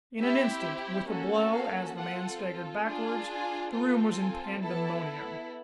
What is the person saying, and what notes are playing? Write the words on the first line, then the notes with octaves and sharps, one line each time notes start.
In an instant, with the blow, as the man staggered backward, the room was in pandemonium.
C4 E4 G4 E5
A#3 C#4 F#4 A4
F5
C4 F4 A4 F#5
D4 F4 G#4
G#5
C4 F4 A4
G#5
B3 E4 A4 A5